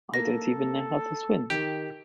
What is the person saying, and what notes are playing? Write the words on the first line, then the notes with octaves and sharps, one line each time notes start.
I don’t even know how to swim!
A#3 A4 A#6
D#3 G4